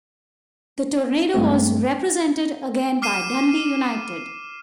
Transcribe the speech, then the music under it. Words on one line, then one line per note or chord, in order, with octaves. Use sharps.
The Tornado was represented again by Dundee United.
G2 G#3 A3 C4
D6 F6 C7 D#7 E7